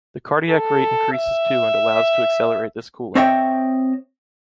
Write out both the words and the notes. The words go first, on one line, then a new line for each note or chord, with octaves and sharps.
The cardiac rate increases too and allows to accelerate this cooling.
A4
E5
C4 C#5 D#5 E5 G5